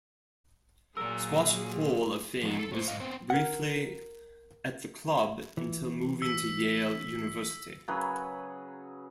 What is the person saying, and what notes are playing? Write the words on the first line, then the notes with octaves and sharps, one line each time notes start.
Squash Hall of Fame was briefly at the club until moving to Yale University.
A#2 F#3 G#4 A#4 E6
F3 B3 D#4
A4
A2 C5
G#2 D#5 F5
B3 C4 C5
A#4 F#5
E3
E6 B6
C#3 F#3 G#4 B4